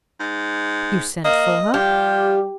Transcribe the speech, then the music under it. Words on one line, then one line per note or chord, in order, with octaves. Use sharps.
"You sent for her?"
G#2
A#3 D#5
F3 G3 G4